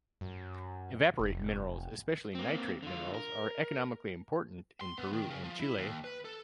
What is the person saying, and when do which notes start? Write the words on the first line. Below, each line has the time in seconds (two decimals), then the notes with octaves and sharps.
Evaporite minerals, especially nitrate minerals, are economically important in Peru and Chile.
0.21 F#2
1.19 F1
2.35 A#3 C4
2.83 D3 F4
3.14 A#4
4.81 C6
4.98 B3
5.13 D#3
5.30 C#3
5.44 F3
5.60 E4
5.78 D#2
6.04 B4
6.25 A4